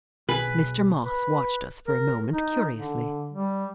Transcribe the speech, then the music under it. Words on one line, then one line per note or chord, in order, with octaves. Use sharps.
Mr. Moss watched us for a moment curiously.
B1 G#4 B4
B4
A#4
D#4
D3
G3